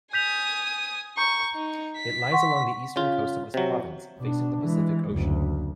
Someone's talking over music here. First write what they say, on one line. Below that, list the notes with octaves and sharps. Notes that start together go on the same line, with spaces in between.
It lies along the eastern coast of this province, facing the Pacific Ocean.
G#5 D#6 G6 B6 F7
A#5 C#6 G6
D#4
B6
F#5 C6 C#6
C#3 F4
C3 F#3
B2 D4
E3 G#3
F#1 D2